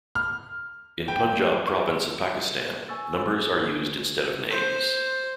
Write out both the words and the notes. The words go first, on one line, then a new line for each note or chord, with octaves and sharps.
In the Punjab province of Pakistan, numbers are used instead of names.
F6
G5
G#5 C#6 E6 A6
C5